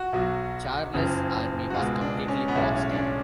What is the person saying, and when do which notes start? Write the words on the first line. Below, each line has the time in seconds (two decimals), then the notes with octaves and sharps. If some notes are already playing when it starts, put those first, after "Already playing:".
Charles' army was completely boxed in.
Already playing: F#4
0.13 B1 B2 F#3
0.94 F#1 F2 C#3
1.70 F#4
1.74 C#2 B2 G#3 F4
2.01 D4
2.28 C#4
2.48 B3
2.55 B1 A2 G#3 C#4
2.75 C#4
2.91 D4
2.96 C#4